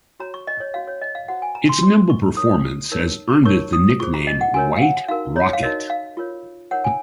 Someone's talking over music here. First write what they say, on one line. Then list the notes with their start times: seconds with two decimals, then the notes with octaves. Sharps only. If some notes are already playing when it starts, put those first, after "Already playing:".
Its nimble performance has earned it the nickname white rocket.
0.20 F#4 C#5 A#5
0.34 C#6
0.47 D#5
0.60 C#5
0.74 C#4 F#4 C#5 F5
0.88 C#5
1.01 D#5
1.15 F5
1.28 F#4 C5 F#5
1.42 G#5
1.55 A#5
1.69 C6
1.83 F4 C5 C6
2.10 C#6
2.37 D#4 A#4 C#5 D#6
2.92 D#4 A#4 C#5
3.45 D#4 A#4 C#5 C#6
3.73 D#6
4.00 F4 G#4 C5 C#6
4.14 A#5
4.27 D#5
4.41 F#5
4.54 F#4 A#4 C#5 G#5
4.76 F5
4.82 F#5
5.09 D#4 F#4 A#4 F5
5.36 C#5
5.53 F5
5.63 D#4 F#4 A#4 C#5 D#5
5.90 F5
6.17 F4 A#4 C#5
6.71 D#4 A#4 C#5 F#5
6.84 G#5